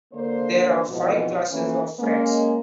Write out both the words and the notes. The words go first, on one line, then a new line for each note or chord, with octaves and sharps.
There are five classes of Friends.
D3 A#3 C5
F2 G#2 B2 E3 F3
E3 A3 A#3 C#4
G#3 A#3 C#4